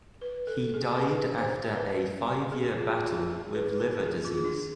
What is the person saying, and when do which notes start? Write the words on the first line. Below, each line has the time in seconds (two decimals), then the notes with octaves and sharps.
He died after a five-year battle with liver disease.
0.21 B4
0.47 A4
0.74 G#4
0.98 B4
1.38 C5
1.76 B4
2.52 G#4
2.78 F4
3.04 F4
3.30 G#4
3.55 B4
3.80 B4
4.06 G#4
4.25 F4
4.45 D4